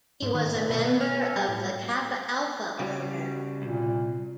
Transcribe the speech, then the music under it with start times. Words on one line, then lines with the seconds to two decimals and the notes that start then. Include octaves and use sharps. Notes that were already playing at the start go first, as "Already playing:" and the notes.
He was a member of the Kappa Alpha Order.
0.22 G#2
0.35 D#3
0.55 A#2
0.70 B2
0.85 B3
1.01 F6
1.22 A4
1.36 G3
1.48 A2
1.63 G3
2.80 C#3 G3 F#4
3.62 C2 A#2